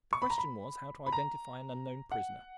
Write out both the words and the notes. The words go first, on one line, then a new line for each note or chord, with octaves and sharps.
The question was how to identify an unknown prisoner.
C#6
B5
A#5
B5
B5
A#5
F#5